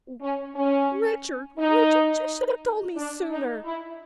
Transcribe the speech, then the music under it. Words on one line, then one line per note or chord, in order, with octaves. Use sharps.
'Oh! Richard, Richard, you should have told me sooner!'
C#4
C#4
D#4
D4
D#4
E4